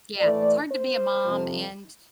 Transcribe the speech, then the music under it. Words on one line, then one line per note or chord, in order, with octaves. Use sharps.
Yeah, it's hard to be a mom and
A2 E3 A3 D5
C5
F2 C3 F3